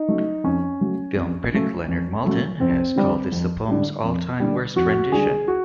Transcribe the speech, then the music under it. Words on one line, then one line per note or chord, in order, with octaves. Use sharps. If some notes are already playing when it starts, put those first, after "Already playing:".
Film critic Leonard Maltin has called this the poem's all-time worst rendition.
Already playing: D#4
C#3 F#3 A3
F2 C#4
C#3 F#3 A3
F2
C#3 F#3 A3
F2
C#3 F#3 A3
F2 C4
D3 G3
F2
D3 G3
F2
D3 G3
F2 F#4
D3 G3 G#4
F#4